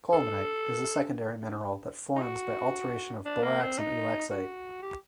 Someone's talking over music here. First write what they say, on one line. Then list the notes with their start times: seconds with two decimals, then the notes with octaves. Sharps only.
Colemanite is a secondary mineral that forms by alteration of borax and ulexite.
0.13 A4
2.16 D#4
2.22 F#4
3.26 D4
3.43 A#3
3.61 C4
3.78 D#4
4.30 F#4
4.82 G4